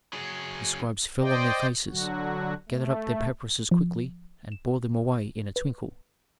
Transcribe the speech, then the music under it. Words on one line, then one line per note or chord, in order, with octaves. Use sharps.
The scribes fell on their faces, gathered up their papyruses quickly, and bore them away in a twinkle.
F#3 G#4
C5 D5 D#5 G5
D3 F#3 F#4
A3
F3
E7
B4